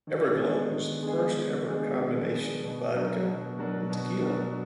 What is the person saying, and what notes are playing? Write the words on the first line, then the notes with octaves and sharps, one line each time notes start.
Everglo is the first ever combination of vodka and tequila.
D#3
G#3 B3 D4 G#4
D#3
G#3 B3 D4 G#4
D#3
G#3 B3 D4 G#4
D#3
G#3 B3 D4 G#4
B2
F#3 D4 F#4 A#4
B2
F#3 D4 F#4 A#4
B2
F#3 D4 F#4 A#4